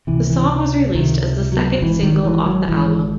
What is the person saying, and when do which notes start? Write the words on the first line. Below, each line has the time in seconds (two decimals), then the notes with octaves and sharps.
The song was released as the second single off the album.
0.07 C#2 C3 E3
0.30 E3
0.95 C#2 C3 D#3
1.52 F#3
1.81 G#1 G#2 E3
2.03 D#3
2.25 E3
2.46 F#3
2.68 G#1 G#2 E3